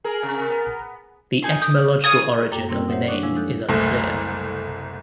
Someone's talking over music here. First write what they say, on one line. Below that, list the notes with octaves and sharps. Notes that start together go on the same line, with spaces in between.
The etymological origin of the name is unclear.
G#4 A#4
C3
B3
D#4 G#5 C6
D6 D#6 G6
C#5 F5 G#5 D#6
F#2 A#3 A4 G5 A#5 D6
G3 A#3 C4 C#4 E4 A#4
G4 C5 C#5 E5 F#5 D#6
D4 D5 C#6 D#6 F#6
F3 G#3 D4 E4
D#4 A4 F#6 G6
F#1 C2 A3